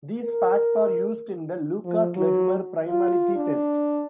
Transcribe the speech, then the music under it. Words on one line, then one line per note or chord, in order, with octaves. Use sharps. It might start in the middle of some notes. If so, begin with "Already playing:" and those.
These facts are used in the Lucas-Lehmer primality test.
A#4
F3
F#3
F4
D4